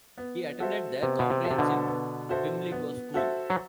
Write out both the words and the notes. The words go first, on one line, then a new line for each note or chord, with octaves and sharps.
He attended the comprehensive Pimlico School.
B3
F#4 A4 C5 E5
C3 B3
B2
C3
F#4 A4 C5 E5
C3
B2 D3
B3
F#4 A4 C5 E5
B3
F#4 A4 C5 E5
F#3